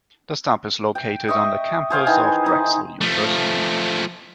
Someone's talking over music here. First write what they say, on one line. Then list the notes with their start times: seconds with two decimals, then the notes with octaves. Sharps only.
The stop is located on the campus of Drexel University.
0.95 G5
1.28 D#5 E5 C#6
1.90 G#4 C5 F5
2.07 D#3 E3 G#5
2.46 D#4
3.01 F3 A3